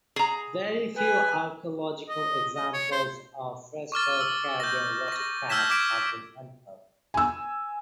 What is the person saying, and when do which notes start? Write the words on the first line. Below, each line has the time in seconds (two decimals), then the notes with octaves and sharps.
Very few archaeological examples of prehistoric Caribbean watercraft have been uncovered.
0.16 G#4 A#5
0.97 B4 G#5
2.09 D#5
2.56 D#5
2.73 C#5
2.92 C5
3.92 C#6 D6 F6 A6
4.21 E6
4.60 G6 A#6
5.08 C#6 A#6
5.50 E6 F6 G6 G#6 B6 E7
5.70 D6 F6 G#6 B6 D7
7.14 G#5 E6